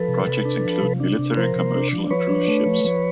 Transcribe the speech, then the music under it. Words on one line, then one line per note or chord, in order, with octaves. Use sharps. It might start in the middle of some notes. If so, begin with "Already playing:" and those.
Projects include military, commercial, and cruise ships.
Already playing: F3 A4 B4
C3
C3
D4
F3
C3
D4
C3
F3 A#4 C5
C3
D4
F3
F3 B4 C#5
D4
A3
F3
F3